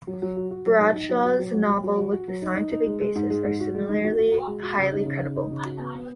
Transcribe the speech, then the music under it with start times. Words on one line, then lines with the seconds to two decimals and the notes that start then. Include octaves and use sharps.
Bradshaw's novels with a scientific basis are similarly highly credible.
0.07 F#3
0.22 F#3
0.36 F#4
0.51 F#4
0.66 F#3
0.80 D#4
0.95 D#4
1.09 F#3
1.24 F#4
1.39 F#3
1.54 F#4
1.68 F#3
1.83 F#3
1.98 F#4
2.12 F#4
2.28 F#3
2.42 D#4
2.56 D#4
2.71 D#4
2.86 G#3
3.01 G#3
3.15 G#2
3.30 G#3
3.44 G#2
3.60 F#4
3.75 G#3
3.89 D#4
4.04 F#4
4.18 F#4
4.33 F#4
4.47 G#3
4.63 F#4
4.78 C#3
4.92 D#4
5.06 C#3
5.21 D#4
5.36 D#4
5.51 C#3
5.65 F#4
5.80 B3
5.95 B3